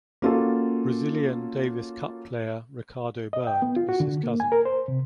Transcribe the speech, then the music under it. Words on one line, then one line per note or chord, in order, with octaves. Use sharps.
Brazilian Davis Cup player Ricardo Bernd is his cousin.
A#3 C#4 F4 F#4 A4
D#5
G5
B3
F4
F#4
D3
A#3
G#5
A#4
C5
C3